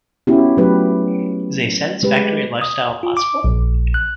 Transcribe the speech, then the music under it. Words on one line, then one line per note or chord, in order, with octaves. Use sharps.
Is a satisfactory life-style possible?
B3 C#4 E4 F#4 G4
F#3 A3 G4 B4
G#3 G4 B4
D#6
F4
D6
A#1
F#6